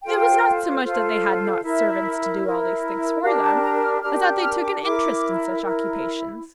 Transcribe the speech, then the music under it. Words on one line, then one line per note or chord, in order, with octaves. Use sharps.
It was not so much that they had not servants to do all these things for them, as that they took an interest in such occupations.
F4 A4 C5 G5
F4 A4 C5
E4 A#4 E5
E4 A#4
D4 G4 A#4 F5
A5
A#5
F6
D4 G4 A#4 F6
G6
F6
D6
E4 A#4 D6
E4 A#4